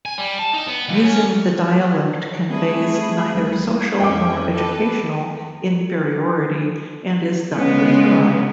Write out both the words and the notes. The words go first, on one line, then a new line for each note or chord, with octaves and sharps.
Using the dialect conveys neither social nor educational inferiority and is done with pride.
G#5
G3
A5
D#4
B3
D#2
C#4
G3 A3 C4 G#4 B5
C2 G3 A3
F2 C#4 D#5 E5 G5 D6
A4 B4
C#3 G#3 B3